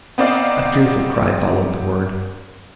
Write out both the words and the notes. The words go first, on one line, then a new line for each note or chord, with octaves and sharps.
A fearful cry followed the word.
B3 C4 D#4 D5 F5